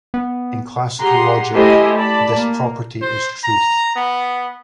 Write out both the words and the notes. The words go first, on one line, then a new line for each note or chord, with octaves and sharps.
In classical logic, this property is truth.
B3
G4 G#4 F#5 A#5 C6
A3 E4 G4 C5 D#5 G#5
D5 A5 B5
A#3
C5
A#5
B3